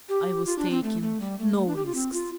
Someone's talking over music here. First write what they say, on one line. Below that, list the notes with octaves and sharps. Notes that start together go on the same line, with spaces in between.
I was taking no risks.
G4
F4
D4
C4
A3
A3
G3
A3
A3
D4
G4
F4
C4
F4